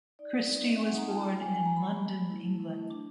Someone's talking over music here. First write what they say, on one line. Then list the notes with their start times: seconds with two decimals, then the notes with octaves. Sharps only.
Christy was born in London, England.
0.19 D#4 D5
0.34 C4
0.48 D#4
0.64 C4 D#5
0.76 G#3 E5
0.87 F#5
0.95 D#4 A#5
1.08 F4 A5
1.24 G#3 G5
1.39 G#3 G#5
1.54 G#3 G#5
1.66 G#3 A#5
1.77 B5
1.84 G#3
1.99 A3
2.14 A3
2.29 E4
2.45 A3
2.59 E4
2.75 A3
2.90 D4